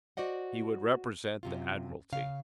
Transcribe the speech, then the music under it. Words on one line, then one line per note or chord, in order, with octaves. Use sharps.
He would represent the Admiralty.
F#4 C5 D5 D#5 F#5
F#2 C3 F4
C#3 F5